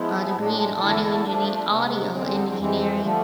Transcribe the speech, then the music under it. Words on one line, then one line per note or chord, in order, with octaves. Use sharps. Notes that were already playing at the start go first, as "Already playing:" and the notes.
a degree in audio enginee audio engineering
Already playing: F3 G#3 B3 E4
A2 G#3 D4
E2 D3 A3 E4 A4
F3 A3 D4
C3 G#3 B3
E2 D3 G#3 C4
F2 E3 G#3 C4
D3 F3 A3